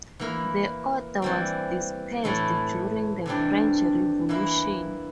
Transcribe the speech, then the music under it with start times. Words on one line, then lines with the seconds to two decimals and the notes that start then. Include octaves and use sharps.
The Order was dispersed during the French Revolution.
0.19 E3 A#3 E4
1.22 E3 G3 C4
2.24 A2 E3 A3 E4
3.26 C3 E3 G3 D4
4.29 E3 A#3 E4